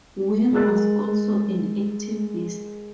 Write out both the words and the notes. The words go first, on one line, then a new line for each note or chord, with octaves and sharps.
Wing was also an activist.
G#3 G#4 A#4 E6 F#6 A6